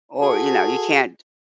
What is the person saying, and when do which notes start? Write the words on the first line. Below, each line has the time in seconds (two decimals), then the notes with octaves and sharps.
or, you know, you can't
0.20 F#4 G#4 A4